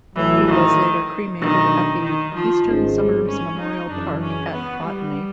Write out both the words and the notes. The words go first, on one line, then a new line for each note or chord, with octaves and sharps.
He was later cremated at the Eastern Suburbs Memorial Park at Botany.
A1 A2 E3 F#3
D#3
B2 D#3 F#3 A3 D4
D#3
F3
G#1 G#2 D#3 G#3 C#4
G3
C#4
D#4
F#2 C#3 E3 D4
C#4
B3
G3